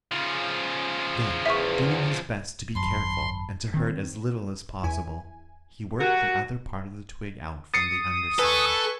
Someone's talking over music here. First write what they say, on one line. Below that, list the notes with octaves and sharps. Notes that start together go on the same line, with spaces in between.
Then, doing his best to be careful and to hurt as little as possible, he worked the other part of the twig out from the under side.
C#3 F3
E2 E5 C#6
G#1 F#2 A5 B5 C6
D#3 C4
E2 E4 G#5
F#3 F#4 G4 A#4
D#6 A6 C7 C#7
A4 B4 G#5 C#6